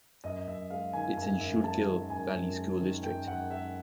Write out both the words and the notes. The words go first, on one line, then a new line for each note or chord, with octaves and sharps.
It is in Schuylkill Valley School District.
F#2 D#5
F#2 E5
G#3 F5
D#3 G#5
F#2 G#5
F#2
G#3 A5
D#3
F#2 G#5
F#2
G#3
D#3
F#2 G5
F#2 F#5
G#3 E5